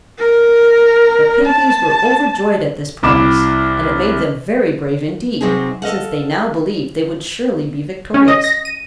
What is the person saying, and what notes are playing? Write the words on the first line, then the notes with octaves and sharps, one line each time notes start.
The Pinkies were overjoyed at this promise and it made them very brave indeed, since they now believed they would surely be victorious.
A#4
A5
C2 E4 B5 D6 E7
C3 F#3 C4 D#4 G#4
A4 D#5 F5 F#5
C#4
D#5
A#6
D#7